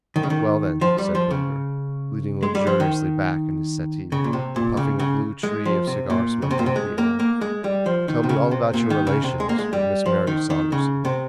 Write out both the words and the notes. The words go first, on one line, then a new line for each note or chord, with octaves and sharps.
"Well, then," said Burger, leaning luxuriously back in his settee, and puffing a blue tree of cigar-smoke into the air, "tell me all about your relations with Miss Mary Saunderson."
D#3
C#3
D#3
F3
G3
F3
C#3
G#3
G3
F3
D#3
C#3
A#2
C3
A#2
C#3
C#3
G#3
F3
C3
A#2
C#3
C3
A#2
C3
G#3
A#3
A#3
G#3
G3
F3
D#3
C3
C#3
C3
A#2
D#3
C#3
C3
G#3
A#3
G#3
G3
F3
D#3
D#3
C#3
C3